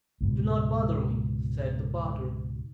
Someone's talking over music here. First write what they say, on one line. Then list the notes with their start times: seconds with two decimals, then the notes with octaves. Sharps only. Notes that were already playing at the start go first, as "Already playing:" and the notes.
"Do not bother me," said the potter.
0.21 C#2 G#2 B2